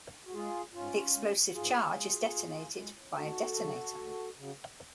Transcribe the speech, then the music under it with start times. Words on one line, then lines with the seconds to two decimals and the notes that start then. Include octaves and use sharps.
The explosive charge is detonated by a detonator.
0.27 F#4
0.33 G#3 F4 G#4
0.73 G#2 C#4 F4
1.14 G#3
1.54 G#2 F4 G#4
1.95 G#3
2.35 G#2
2.76 G#3
3.16 D2 F#4 A4
3.57 C#3 F#3
3.97 D2
4.37 C#3 F#3